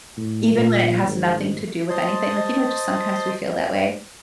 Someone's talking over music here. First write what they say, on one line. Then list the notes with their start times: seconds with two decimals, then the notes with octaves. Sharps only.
even when it has nothing to do with anything, like, you know, just sometimes we feel that way?
0.17 A2
0.55 A#2
1.04 G#1
1.90 C5 D#5 A5 C6